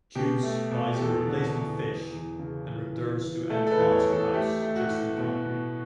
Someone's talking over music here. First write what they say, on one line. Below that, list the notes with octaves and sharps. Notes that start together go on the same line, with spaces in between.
Deuce buys a replacement fish and returns to Antoine's house just in time.
B2 G4
A3
B2
G4
E2 A4
D3
E2
E3
E2
C#3
E3
E3
E3
A3 A4
A4
B4
E2
C#5
E2
A4
A3 G4
A3
F#4
A2
B2
B2